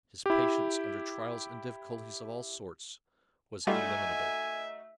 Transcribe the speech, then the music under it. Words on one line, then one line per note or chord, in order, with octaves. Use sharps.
His patience under trials and difficulties of all sorts was illimitable.
E4 G4
G3 A3 D#4 F4 F#4 E5 G#5